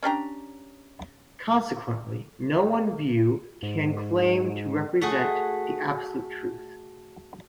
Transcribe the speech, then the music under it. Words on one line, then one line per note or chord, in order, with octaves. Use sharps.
Consequently, no one view can claim to represent the absolute truth.
C#4 D4 G4 A#5
G#2
A3 F#4 G#4